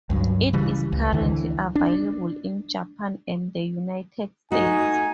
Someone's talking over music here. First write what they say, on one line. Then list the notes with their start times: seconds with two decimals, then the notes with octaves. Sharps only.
It is currently available in Japan and the United States.
0.10 C#2 G2 F#3
0.53 C#3 E3 G3
0.92 C#2
1.13 D2 D3 E3
1.75 D4
4.52 A3 D#4 F#4 G#5